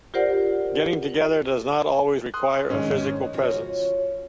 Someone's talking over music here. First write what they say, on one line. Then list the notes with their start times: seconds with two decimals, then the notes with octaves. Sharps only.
Getting together does not always require a physical presence.
0.14 F4 G4 A#4 C5 D5 F#5
2.34 C6 D#6 F#6
2.70 G#2 D#3 C#4
3.33 C#3 F3 C#4 F4 F#4 C#5